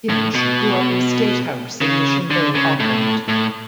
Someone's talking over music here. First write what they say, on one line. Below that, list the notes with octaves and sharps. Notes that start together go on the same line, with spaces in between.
Hinge grew up in a state house in Mission Bay, Auckland.
A2
B2
C#3
D3
C#3
A2
A2